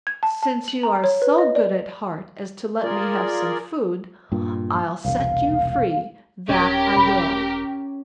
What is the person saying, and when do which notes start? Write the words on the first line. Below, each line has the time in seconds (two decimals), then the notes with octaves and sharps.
'Since you are so good at heart as to let me have some food, I'll set you free, that I will.
0.07 G#6
0.23 A5
0.43 A5
0.68 F#7
0.83 A#5
1.04 C#5
1.22 B4
1.38 D#5
1.55 D5
2.83 F4 G#4 A#4 D5
4.32 G2 A#2
5.05 E1 C2 F5
6.49 D#1 C#4 G4 A#4
6.96 E1 B5